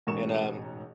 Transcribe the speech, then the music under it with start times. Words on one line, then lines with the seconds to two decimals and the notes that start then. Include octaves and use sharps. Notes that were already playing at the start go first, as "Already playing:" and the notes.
and, um
0.07 E1 A1 G#2 A#4 C#6 E7